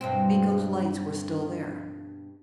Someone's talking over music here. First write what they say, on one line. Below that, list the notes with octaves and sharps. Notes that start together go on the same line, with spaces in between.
Miko's lights were still there.
G2 B2 C4